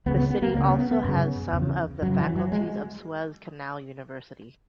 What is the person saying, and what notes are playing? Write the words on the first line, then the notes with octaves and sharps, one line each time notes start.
The city also has some of the faculties of Suez Canal University.
C#2 C#3 B3
B3
B3
A#3
C#2 C#3 A#3
B3
B3
B3
F#2 C#3
E2 C#3
F#2 C#3 F#3
E3
F#3
G#3